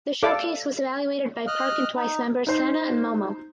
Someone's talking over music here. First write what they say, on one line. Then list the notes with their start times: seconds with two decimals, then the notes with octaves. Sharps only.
The showcase was evaluated by Park and Twice members Sana and Momo.
0.23 A4 D5 F5 D6
1.47 D#5 F6 F#6
1.96 D#4
2.47 D#4 C5